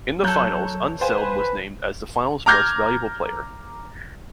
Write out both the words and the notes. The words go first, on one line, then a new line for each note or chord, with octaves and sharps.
In the Finals, Unseld was named as the Finals Most Valuable Player.
F#3 A4 C#5 A#5 F#6 G6
B4 C5 F5 G5 G#5
A#5 D6 F6 G6 G#6 A#6